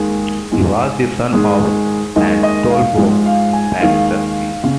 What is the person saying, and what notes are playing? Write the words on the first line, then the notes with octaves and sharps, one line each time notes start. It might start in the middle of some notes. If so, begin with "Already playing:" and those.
He was the son of Pandolfo Petrucci.
Already playing: D#2 D#3 G#3 G#4
G#2 G#3
G#2 D#3 G#3 G#4
D#2 D#3 G#3 D#5
D#5
F5
G#2 F3 G#3
F5
G#5
D#2 D#3 G#3 F5
C#3